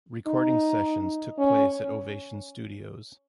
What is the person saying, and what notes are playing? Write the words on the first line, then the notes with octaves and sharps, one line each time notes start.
Recording sessions took place at Ovation Studios.
D#4
C#4